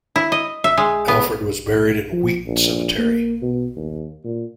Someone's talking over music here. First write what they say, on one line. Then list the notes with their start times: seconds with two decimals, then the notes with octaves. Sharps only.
Alfred was buried in Wheaton Cemetery.
0.16 E4
0.32 D#5
0.64 E5
0.78 G#3
1.08 B3
2.12 F3
2.46 A#1
2.98 A#3
3.42 B2
3.76 D#2
4.24 A#2